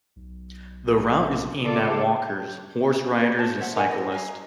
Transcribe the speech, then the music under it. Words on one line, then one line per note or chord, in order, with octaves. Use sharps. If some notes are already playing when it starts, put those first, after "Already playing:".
The route is aimed at walkers, horse riders and cyclists.
B1
C#3 F4 A4 D5
A#4 B4 D#5
C#5 A5
C5 C#5 E5 F#5
A#4 C#5 F#5 G#5
E4 C5 C#5 D#5
D#5 F5 G#5 A#5